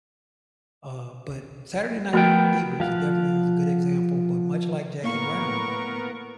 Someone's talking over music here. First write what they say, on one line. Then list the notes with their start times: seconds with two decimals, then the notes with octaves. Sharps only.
Uh, but Saturday Night l Fever is a definitely was a good example, but much like Jackie Brown,
2.13 F3 A3 B3 F#4 A#4 G5
2.80 F3 F5 F#5
5.03 A2 A#3 B3 A#4 F5 B5 C#6